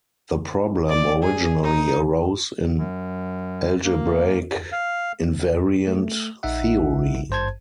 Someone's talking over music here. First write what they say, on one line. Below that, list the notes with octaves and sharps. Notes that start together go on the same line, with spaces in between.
The problem originally arose in algebraic invariant theory.
D5
G#4
D#4
F#2
A#3
F5
A3
A#1 D#4 E5 F#5
G#1 G2 C5 A5 G#6